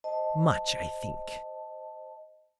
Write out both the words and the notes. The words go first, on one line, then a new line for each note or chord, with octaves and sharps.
Much, I think.
C5 D#5 A5